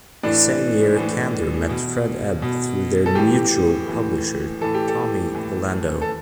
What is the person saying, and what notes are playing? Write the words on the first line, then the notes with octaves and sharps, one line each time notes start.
The same year, Kander met Fred Ebb through their mutual publisher, Tommy Volando.
A2 E3 D4
A2 E3
B2
B2
A4
A2 E3 G4
A2 E3
A2 E3 A4
G4
A4
A2 E3
A4